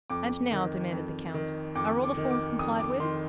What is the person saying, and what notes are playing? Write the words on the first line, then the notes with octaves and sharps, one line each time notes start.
"And now," demanded the count, "are all the forms complied with?"
F2 D6
D#3
F2
D#3
F2 D6
D6
D#3
D6
F2 D#6
D6
D#3 C6